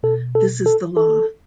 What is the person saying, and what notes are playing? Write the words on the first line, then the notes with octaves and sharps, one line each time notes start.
This is the law.
B2 A4
A4
A4
A4